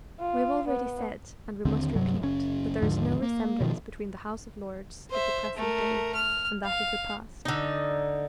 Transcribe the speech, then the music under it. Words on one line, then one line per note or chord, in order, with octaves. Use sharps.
We have already said, and we must repeat, that there is no resemblance between the House of Lords of the present day and that of the past.
F4
B3
D#2 D3 C4
G2 C3 F#3
F#1 C#4
D#2 G#2 D3 F3
A#3
B2 D#3 F3
C5 E5
A3 A#4
F6
F5
D3 D#4